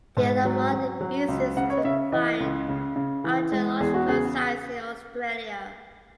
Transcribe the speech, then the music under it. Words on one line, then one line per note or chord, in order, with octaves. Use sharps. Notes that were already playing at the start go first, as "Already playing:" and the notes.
They are among the easiest-to-find archaeological sites in Australia.
G#2
F#3
F#3
F#3
C#2
C#3 F#5
C#5
D#5
C#3 E5
E3 D#5
C#2
C#3
C#3
E3
G#3
E2 G#4
F#4
C#3 G#4